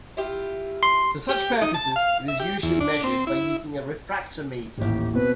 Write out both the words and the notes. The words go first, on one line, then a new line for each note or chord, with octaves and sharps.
For such purposes, it is usually measured by using a refractometer.
E4 F4 G4
C6
G4
D#4
A5
F5
E5
G4
E2
D4
C4
E4
D#1 A1 G4
B2 C4 B4